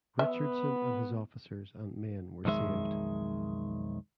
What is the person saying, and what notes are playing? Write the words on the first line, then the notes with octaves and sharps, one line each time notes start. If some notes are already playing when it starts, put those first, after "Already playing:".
Richardson and his officers and men were saved.
B3 E5
B1 F2 D#3 G#3 E5